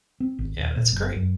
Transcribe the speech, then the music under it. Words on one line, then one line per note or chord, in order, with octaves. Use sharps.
yeah, that's great.
C4
G#1
D#1
A#2
F#1
F#2